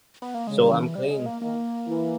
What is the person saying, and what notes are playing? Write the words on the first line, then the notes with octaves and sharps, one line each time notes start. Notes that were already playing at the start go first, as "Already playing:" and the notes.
So I'm clean.
B3
A#3
C#3 G#3
G3
E3
G3
G#3
A#3
D#3 A#3
E3